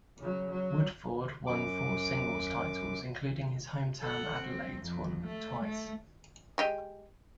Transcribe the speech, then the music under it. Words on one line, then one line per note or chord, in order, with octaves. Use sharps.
Woodforde won four singles titles, including his hometown Adelaide tournament twice.
C#3 F#3
F#3
F#2 D6
A4 F#5
C4
F2
A3
A3
G#3 G4 D#5